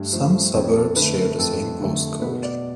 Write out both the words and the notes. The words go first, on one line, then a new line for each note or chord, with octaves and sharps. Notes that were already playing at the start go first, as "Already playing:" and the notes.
Some suburbs share the same postcode.
Already playing: G2 A3
F3 A3
F2 B4
A4
D3 A3 B4
A4
F2 A4
D3 A3
B2 B4
D5